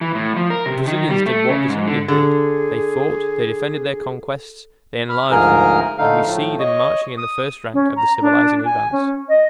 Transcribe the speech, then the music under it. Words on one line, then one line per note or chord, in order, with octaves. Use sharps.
The Brazilians did what this Indian did: they fought, they defended their conquests, they enlarged them, and we see them marching in the first rank of the civilizing advance.
E3
A2
F3
A#4
C3
D#3
G3
A3
C#3
G#2
D3
D3 G#4
B5 F6
D2 G#2 F3 G#4 A#4 F6
D3 A3 D#4 F5
A2 F3 A3
C#5 D#5
D#6
C#4
A#5
D4
G#5
C#4
D#5